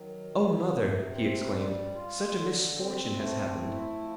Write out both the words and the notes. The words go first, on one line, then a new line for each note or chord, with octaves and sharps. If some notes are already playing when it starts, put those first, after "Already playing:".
"Oh, mother," he exclaimed, "such a misfortune has happened!"
Already playing: D#3 F#3
C3
C3
C4
G3
F4
D3
C4
A3
E4
F3